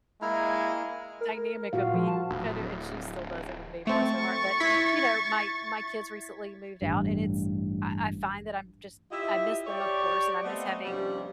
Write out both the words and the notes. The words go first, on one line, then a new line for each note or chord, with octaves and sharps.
dynamic of being kinda and she still does it with me, bless her heart, but, you know, my my kids recently moved out and it's I I find that I'm just, I miss them, of course, and I miss having
G#3 A#3 E4 A#5 F6
A#4
A#2 F4 F#4 F5
F3
A5
D1
A3 C4 C#6 A6
E4 G#6 B6
A1 G2
E4 F4 G4 D#5 E5
G4 C#5 D5
A3 B3 C4 D#5 F#5
G2 C3 F3 G3 A#3 C#4